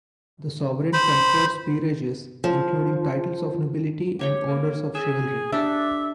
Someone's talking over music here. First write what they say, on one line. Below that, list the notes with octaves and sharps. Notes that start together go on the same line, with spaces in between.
The sovereign confers peerages, including titles of nobility and orders of chivalry.
C5 B5
F3
G4 C#5 G5
A#3
G#4 E5
D4 G4 A4 E5